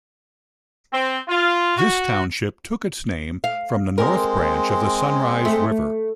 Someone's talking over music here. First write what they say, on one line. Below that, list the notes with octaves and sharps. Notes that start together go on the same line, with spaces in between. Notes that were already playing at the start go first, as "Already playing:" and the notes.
This township took its name from the north branch of the Sunrise River.
C4
F4
F#4
F5
G#3 C4 A#4
A3